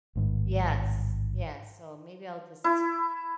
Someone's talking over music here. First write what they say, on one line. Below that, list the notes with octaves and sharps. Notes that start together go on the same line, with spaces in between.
Yes, yes. So maybe I'll just
A1 G#2 D#3
E4